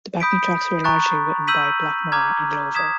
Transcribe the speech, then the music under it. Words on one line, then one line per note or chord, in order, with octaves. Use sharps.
The backing tracks were largely written by Blackmore and Glover.
B5 D#6 G6 B6 D7
A#5 C#6 F#6 A6
E6 G6 B6 D#7 F#7
A#5 D6 F6 G#6
D#6 G#6 B6 E7